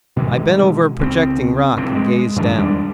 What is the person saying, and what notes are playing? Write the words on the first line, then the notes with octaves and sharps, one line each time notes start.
I bent over a projecting rock and gazed down.
B2 D#3 E3 G#3
C#2 F3 C4
F1 A2 C3 C4
G#3
G2 D#3 F3 D4
D#2 G3 G#3 D4